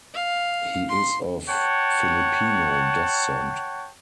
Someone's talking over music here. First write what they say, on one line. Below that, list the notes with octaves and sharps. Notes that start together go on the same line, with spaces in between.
He is of Filipino descent.
F5
C6
C#5 F#5 G5 A5